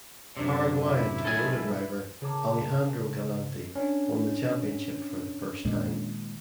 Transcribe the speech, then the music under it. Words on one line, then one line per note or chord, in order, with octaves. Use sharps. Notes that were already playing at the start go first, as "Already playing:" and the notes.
Paraguayan Toyota driver Alejandro Galanti won the championship for the first time.
F#2 C3 D4
E4
B1 A4 G#5
C#3 G#4 A#4 A5 D6
C#4 D4
A#2 D#3 G#3